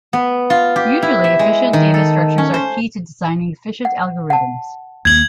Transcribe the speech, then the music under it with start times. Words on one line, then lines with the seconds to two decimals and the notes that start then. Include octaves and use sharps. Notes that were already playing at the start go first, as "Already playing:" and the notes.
Usually, efficient data structures are key to designing efficient algorithms.
0.13 B3
0.50 F4
0.76 G4
1.02 E4
1.24 E5
1.39 G#3
1.73 D#3
1.94 A4
2.38 C#4
2.54 C5
3.85 F#5
4.30 F#5 A5
5.05 D#2 A#3 G#6 F#7